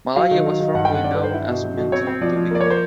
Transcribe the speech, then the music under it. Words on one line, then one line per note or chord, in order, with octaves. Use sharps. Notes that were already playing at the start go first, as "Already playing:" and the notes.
Malaya was formerly known as "Munting Tubig".
F#3 F5
D#3
F#3
D#3
G2 F#5
G5
D3 F#5
G2 D5
B4
D3 C5
E4
B2
F#3
B2
C4 C#5
C4
F3 D5
F3
A#3 D5
C#5
A#3
C5